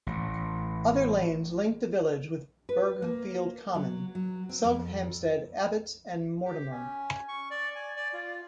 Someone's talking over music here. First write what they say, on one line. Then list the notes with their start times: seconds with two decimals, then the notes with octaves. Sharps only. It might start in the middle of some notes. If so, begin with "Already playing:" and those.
Other lanes link the village with Burghfield Common, Sulhamstead Abbots and Mortimer.
0.07 A1
2.69 B4
3.02 A#3
3.75 F#3
4.15 F#3
4.49 C4
4.64 F2
6.45 G4
6.71 C#4
7.28 C#6
7.51 D5
7.75 G#5
7.96 D5
8.13 F4